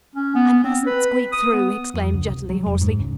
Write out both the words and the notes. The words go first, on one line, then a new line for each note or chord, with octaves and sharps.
"I mustn't squeak through," exclaimed Jutterly, hoarsely.
C#4
B3
C4
B4
D#6
B3
F2
C#2
C2
F#3
F1
G#2
C#2